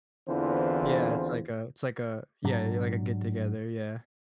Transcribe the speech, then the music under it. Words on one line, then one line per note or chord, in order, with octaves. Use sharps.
Yeah, it's like a it's like a yeah, yeah, like a get together, yeah.
E2 D3 E3 C4 F4 C5
G#2 F#3 D4